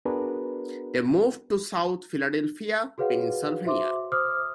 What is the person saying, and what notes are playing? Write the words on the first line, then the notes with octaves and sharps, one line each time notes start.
They moved to south Philadelphia, Pennsylvania.
B3 D4 F#4 G#4 A#4 B4
F#4 G#4 B4 C#5 F5 F#5
F#4 C5 E5 C6 D6
C5 D6 D#6 F6